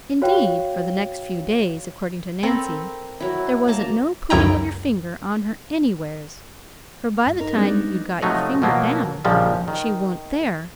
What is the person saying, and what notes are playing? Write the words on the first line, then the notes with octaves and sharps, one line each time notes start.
Indeed, for the next few days, according to Nancy, "There wasn't no putting of your finger on her anywheres, for by the time you'd got your finger down she wa'n't there."
F#4 C#5 F5 G5
C4 A4 A#4 B5
F#3 E4
A#3 A5 A#5
C#2 F#2 E4 G5 A#5
G2
D#4 A#4
G3 G#3 B3 C4 D4 D#4
C3 F3 F#3 A3 D#4
B2 F3 F#3 A#3 B3
A#1 A#2 C#3 F3 G3 G#3
D#3